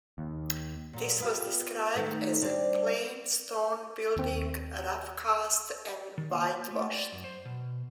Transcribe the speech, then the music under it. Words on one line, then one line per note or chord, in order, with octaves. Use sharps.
This was described as "a plain stone building rough cast and whitewashed".
D#2
A#2 F#3
B3 F4 G4
D#3 A3 D#4
G3 C4 D4
D#2 C4
D#3
A#3
A3
D5
F#2
C5
B2